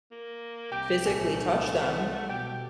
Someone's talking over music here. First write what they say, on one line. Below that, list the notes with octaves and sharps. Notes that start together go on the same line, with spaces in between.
physically touch them
A#3
C2 G4 G5
A#1 A3 G#5 C#7
F#5
B2 G4 G5